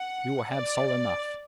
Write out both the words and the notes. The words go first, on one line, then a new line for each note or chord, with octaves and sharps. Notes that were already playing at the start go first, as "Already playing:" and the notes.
"We will have salt enough."
Already playing: F#5
D5